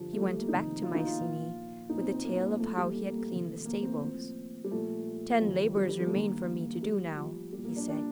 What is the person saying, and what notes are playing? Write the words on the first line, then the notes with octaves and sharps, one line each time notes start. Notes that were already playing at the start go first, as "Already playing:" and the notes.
He went back to Mycenae with the tale of how he had cleaned the stables. "Ten labors remain for me to do now," he said.
Already playing: G2 D3 F3 G3
A3
G3
A#3
F2 C3 D#3 D#4
F4
D#4
F4
A#2 F3
A#2 F3 D#4
C4
C4
A#3
C4
A#3
A2 F3 A3
G3
A3
A#3
A3
F2 C3 D#3
A#3
C4
A2 F3
G3
A#2 F3 A3
F2 D#3
G3
G3
G3
A3
G2 D#3 A#3
A2 F3 G3
F3
A#2 F3 G3
A#3
D4
D4